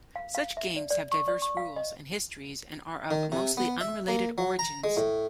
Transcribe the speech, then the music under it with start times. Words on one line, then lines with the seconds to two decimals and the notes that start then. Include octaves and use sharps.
Such games have diverse rules and histories and are of mostly unrelated origins.
0.16 F5
0.35 F5
0.57 E5
0.76 D5
0.90 D5
1.12 C#6
1.28 D5
1.42 C#6
1.57 F5
1.76 D#5
3.11 D#3
3.32 C3
3.57 B3
3.81 E5
4.08 A#3
4.38 F#3
4.59 A#5
4.84 G#3
4.97 A2